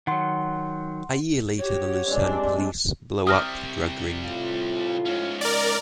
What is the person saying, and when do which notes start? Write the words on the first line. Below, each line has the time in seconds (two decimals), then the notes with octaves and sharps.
A year later the Lucerne police blow up the drug ring.
0.07 D#3 F#3 F#5 C6
1.58 F#4 G4 C#5
2.07 G2 G#3 C4 D4 D5
3.27 C3 G3 D#6 F6 A#6
4.22 A2 F4
5.06 G#2 C#4
5.41 A#4 D5